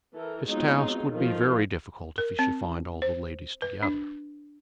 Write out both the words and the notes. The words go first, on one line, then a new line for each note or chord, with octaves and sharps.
His task would be very difficult if he should find all the ladies together.
E3 A4 A#4
F#3 G#3 B3 C4 D#4 F4
D#3 F3 A3 F4
A#4
C4
C5
B4
D4